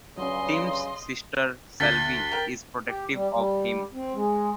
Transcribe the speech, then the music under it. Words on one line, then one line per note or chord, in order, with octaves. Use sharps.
Tim's sister, Sylvie, is protective of him.
G2 C#3 F#3 C#4 D#5 C6
D2 A6 B6 G7
A#4 G5
G4
G3
G3
C4
G#3